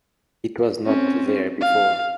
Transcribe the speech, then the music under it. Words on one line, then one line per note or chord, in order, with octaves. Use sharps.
It was not there before.
C4 C#4
F5